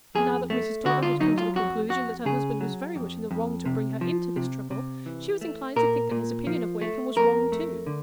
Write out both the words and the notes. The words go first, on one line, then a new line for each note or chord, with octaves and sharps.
And now that Mrs. Tulliver had come to the conclusion that her husband was very much in the wrong to bring her into this trouble, she was inclined to think that his opinion of Wakem was wrong too.
F2 G#4
A3
D3 F#4
F4
F#3 D#4
F4
F2 F#4
F2 F#4
C#3 G#4
F#3
F2
F2
C3
F3
C3
C3
E3
A3
A#2 A#4
A#2
F3
A3
F2 A#4
A3
D3